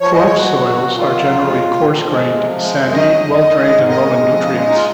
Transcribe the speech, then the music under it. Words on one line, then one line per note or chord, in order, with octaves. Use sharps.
Korup soils are generally coarse-grained, sandy, well drained and low in nutrients.
F3 C#5
G#3 D#5
C#5
A#2 F#4
F#3
A#2
A#2
D#3 F4
F#3
F2
G#3
A#2
A#2
F3
G#3
C3
F3
G#3
F#2
D#3 D#5
F#3
F2
D#3
G#3
G#2
D#3 D#5
G#3
F2
C#3
G#3
D#4
F4